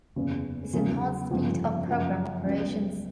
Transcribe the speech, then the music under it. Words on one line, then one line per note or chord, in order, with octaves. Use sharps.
This enhanced speed of program operations.
F#1 E2 C#3
E2 C#3 F#3 A#3
G1 F2 C#3 F3
F#2 C#3 F3
C#2 C#3 F#3 B3